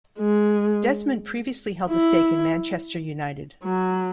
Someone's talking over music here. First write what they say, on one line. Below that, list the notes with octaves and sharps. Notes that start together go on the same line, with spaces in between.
Desmond previously held a stake in Manchester United.
G#3
E4
F#3